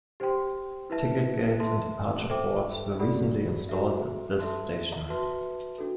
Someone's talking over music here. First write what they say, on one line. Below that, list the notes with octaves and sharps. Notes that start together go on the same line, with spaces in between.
Ticket gates and departure boards were recently installed at this station.
G4 C5 G5 C6
E4 B4 E5 A5
A4 E5 A5 C6
A4 C5 E5 G5 D6
F#4 A4 D5 F#5 B5
F#4 A4 E5
A4 E5 A5 C6
F#4 B4 E5 A5 C6
D4 F#4 A4